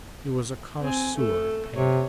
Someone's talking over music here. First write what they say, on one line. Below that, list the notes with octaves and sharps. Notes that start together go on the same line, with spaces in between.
He was a connoisseur of painting.
C4 G#5
A3 A4
C3 C#5